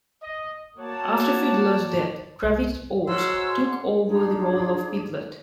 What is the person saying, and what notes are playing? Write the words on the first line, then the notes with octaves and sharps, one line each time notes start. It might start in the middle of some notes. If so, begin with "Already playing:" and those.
After Fiedler's death, Travis Oates took over the role of Piglet.
D#5
A#3 F#4 C#5 D5 F#5 A5
C2
G#2 F#4 C#5 C6 E6
D4 D#4 F4 G#4